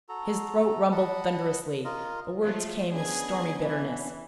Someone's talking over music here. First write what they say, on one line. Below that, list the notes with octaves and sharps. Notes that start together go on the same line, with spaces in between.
His throat rumbled thunderously; the words came with stormy bitterness.
F#4 A4 A#5
D#5 F#5 A5 B5
F4 A#4 D#5
F3 F#3 A3 F4
B3 C#4 D4 G#4 B4 D#5 G#6
E3